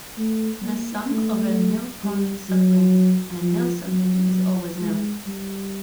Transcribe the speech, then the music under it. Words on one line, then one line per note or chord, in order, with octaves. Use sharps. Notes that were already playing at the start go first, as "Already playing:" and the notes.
The sum of a nilpotent subring and a nil subring is always nil.
A3
A#3
A3
G3
F#3
F3
F#3
G#3
G3